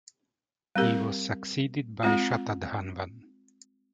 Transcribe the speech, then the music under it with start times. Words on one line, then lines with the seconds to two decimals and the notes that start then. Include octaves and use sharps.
He was succeeded by Shatadhanvan.
0.76 G3 C4 G4 A#4
2.03 G#3 C4 F4